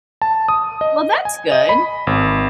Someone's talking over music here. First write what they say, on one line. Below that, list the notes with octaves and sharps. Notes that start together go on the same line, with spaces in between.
Well, that's good.
A5
D#6
D#5
G#5
D#5
B5
G#1